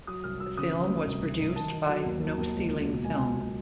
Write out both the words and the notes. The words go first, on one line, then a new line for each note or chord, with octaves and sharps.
The film was produced by No Ceiling Film.
F#3 D#6
C2 F6
F#3 E6
C#3 D#6
C#3
D2
C2
C2
C2
D#3 A5
D#3
F#3
D#2
F#3
D#2
C#2
F#3
B2
C#2 G#5
F#3
F#3